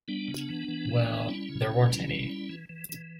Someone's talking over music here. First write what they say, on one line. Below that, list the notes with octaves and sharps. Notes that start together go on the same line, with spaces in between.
Well — there weren't any.
G3 B3 D4
C#3
E3
E3
E3
E3
G3 C#4 E4
C#3
C#3
G3
G3
G3
E3
E3
E3